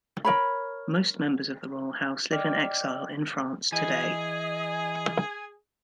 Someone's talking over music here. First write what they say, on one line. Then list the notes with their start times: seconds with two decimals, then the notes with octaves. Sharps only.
Most members of the royal house live in exile in France today.
0.25 A#4 C#5 B5
2.31 D5 D#5 G5 D6 F6
3.72 E3 G#4 D#5 G#5